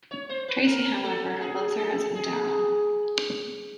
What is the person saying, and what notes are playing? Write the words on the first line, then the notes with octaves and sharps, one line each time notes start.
Tracey, however, loves her husband, Darryl.
C#5
C5
B4
A#4
A4
G#4
A4
G#4